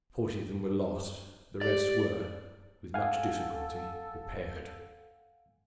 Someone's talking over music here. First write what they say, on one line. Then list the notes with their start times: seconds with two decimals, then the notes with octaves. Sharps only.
Forty of them were lost, the rest were, with much difficulty, repaired.
1.61 G4 D5
2.94 A4 F5 F#5 G#5